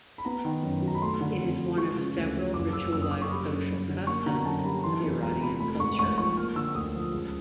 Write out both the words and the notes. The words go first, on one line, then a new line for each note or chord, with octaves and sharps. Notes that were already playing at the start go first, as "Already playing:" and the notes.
It is one of several ritualized social customs of Iranian culture.
B5
B3 A#5
D#3
F#2
F#3
A#5
B5
A3 C6
D3
F2
F3
G#3 C#6
C#3
D2
F3
F#1 D6
F#2 E6
F#1 E6
D#6
C#3 D6
C#6
G3 B5
F#2
G1
D3
A#3 C#6
D3 A#5
F#2 A5
A#5
G3 B5
E3 C6
E2
E1 A#5
C3 B5
A3 B5
G#2 C#6
A1 C#6
F3 C#6
A#3 F6
D3 E6
D2 D#6
F3
C#2